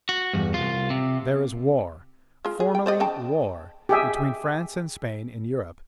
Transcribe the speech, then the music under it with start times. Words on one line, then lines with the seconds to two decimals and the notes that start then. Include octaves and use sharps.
There is war--formally war--between France and Spain in Europe.
0.09 F#4
0.33 E2 G2
0.54 C2 F4
0.90 C3
2.45 G#3 F4
2.60 G#4
2.75 G5
2.86 C5 D5 D#5
3.00 C#3 G5 A5
3.89 G4 G#4 E5